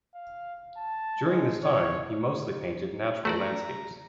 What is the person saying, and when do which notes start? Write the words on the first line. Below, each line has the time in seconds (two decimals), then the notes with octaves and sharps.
During this time, he mostly painted natural landscapes.
0.15 F5
0.77 A5
1.24 G#3
1.64 C#5
3.25 A3 F#4 D5 A#5